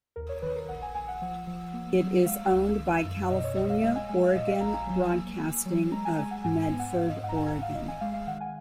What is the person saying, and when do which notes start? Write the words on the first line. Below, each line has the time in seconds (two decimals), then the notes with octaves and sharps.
It is owned by California Oregon Broadcasting of Medford, Oregon.
0.16 D#2 A#4
0.29 C#5
0.42 D#3 B4
0.56 A#4
0.69 A#1 F#5
0.82 G#5
0.95 A#1 G#5
1.08 F#5
1.22 F3
1.47 F3
1.73 A#3
2.00 F#3
2.25 G#3 F5
2.51 C#2
2.78 D#3
3.04 F#2
3.31 B2 D#5
3.44 C#5
3.56 B1 D#5
3.70 F5
3.82 G#3 D#5
3.95 G#5
4.09 G#3 G#5
4.22 F5
4.35 A#2 D#5
4.48 F5
4.61 A#1 A#5
4.74 G#5
4.87 F#3
5.13 A#3
5.39 A#3
5.66 F#3
5.92 G#3 A#5
6.05 G#5
6.18 G#3 G#5
6.31 F#5
6.44 G#2 G#5
6.62 G#5
6.70 B3
6.79 F#5
6.96 G#2 F5
7.09 D#5
7.22 G#2 F#5
7.29 A#5
7.36 G#5
7.49 G#1 F#5
7.62 F5
7.75 G#1 D#5
7.88 G#5
8.01 G#3 F5
8.14 F5
8.27 D#3 F#5
8.41 G#5